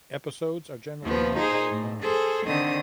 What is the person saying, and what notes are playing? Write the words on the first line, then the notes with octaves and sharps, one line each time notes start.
Episodes are generally one hour long.
D#2 F3 B3
D#4 G#4 C5
A2
G#4 A4 C5
D3 D#3 C4 D#6